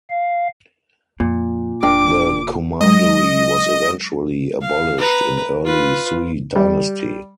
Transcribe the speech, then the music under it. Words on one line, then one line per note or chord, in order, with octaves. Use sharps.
The commandery was eventually abolished in early Sui dynasty.
F5
F2 A#2
F1 D4 A#4 G5 D6
F#3 G#3 D#5
F5
B4 A#5
F4 B4
G3